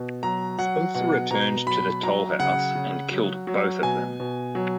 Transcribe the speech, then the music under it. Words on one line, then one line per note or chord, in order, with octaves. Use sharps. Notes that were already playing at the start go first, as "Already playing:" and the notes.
Spencer returned to the toll house and killed both of them.
Already playing: B2
F#3 A#5
F#3 F#5
B2 F#5
B2 A#5
F#3 B5
F#3 A#5
C#3 F#5
C#3
F#3
F#3
B2 G#5
B2
F#3